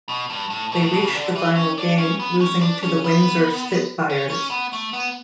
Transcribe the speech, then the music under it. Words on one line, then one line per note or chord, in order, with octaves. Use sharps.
They reached the final game, losing to the Windsor Spitfires.
B2
G2
A2
B2
A2
B2
C#3
D3
E3
C#4
D4
C#4
B3
C#4
D4
C#4
B3
C#4
C#4
B3
A3
B3